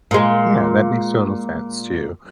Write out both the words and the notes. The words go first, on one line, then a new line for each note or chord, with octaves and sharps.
Yeah, that makes total sense too.
A#2 G#3